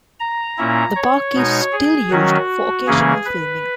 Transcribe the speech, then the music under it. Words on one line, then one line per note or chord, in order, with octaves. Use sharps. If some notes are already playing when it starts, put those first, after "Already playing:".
The park is still used for occasional filming.
A#5
A#2 A#3 C#4 E4
C#5
B2 G#3 D#4
G#4
D#3 F#3 C#4 F#4
C#3 E3 A#3 C#4 G#4
B4